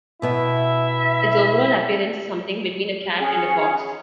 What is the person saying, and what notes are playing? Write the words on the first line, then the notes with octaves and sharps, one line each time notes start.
Its overall appearance is something between a cat and a fox.
B2 B3 E4 E5 G5
C#4 G#4 F#5